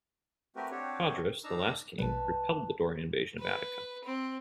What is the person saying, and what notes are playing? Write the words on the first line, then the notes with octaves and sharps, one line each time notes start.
Codrus, the last king, repelled the Dorian Invasion of Attica.
A3 C4 F#4 G4 A#4 B4
C4 D4 F#4 G4 C#5
D4 D#4 A#5 E6
A#1 B2 G3 B4 A5
B4
C4